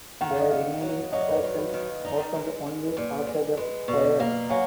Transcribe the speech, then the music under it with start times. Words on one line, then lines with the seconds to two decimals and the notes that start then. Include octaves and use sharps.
The remaining attractions opened one week after the fire.
0.21 D#3 F#5
0.30 F5
0.41 D#5
0.50 B3 D5 F5
0.82 F#3
1.12 F#3 D#5
1.21 D5
1.28 B4
1.36 D5
1.44 D#3
1.58 B4
1.74 D#3
2.05 D#4 D5
2.35 G#3
2.66 G#3
2.88 B4
2.96 A#2 D5
3.27 G#3 D5
3.57 G#3 B4
3.88 B2 D5
3.97 D#5
4.03 D5
4.19 A#3 D5 F5
4.50 F#3 F5 G#5